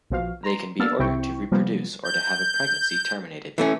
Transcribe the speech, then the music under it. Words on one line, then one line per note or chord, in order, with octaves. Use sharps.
They can be ordered to reproduce or to have a pregnancy terminated.
A#1 B2 F3 F#4 F5
A#5 C6
A#3 B3 D4 E6 F6 A6
C2 C3 C4 E4 G5 C#6
C3 F3 G3 A#3 B3
G6
E3 A3 C#4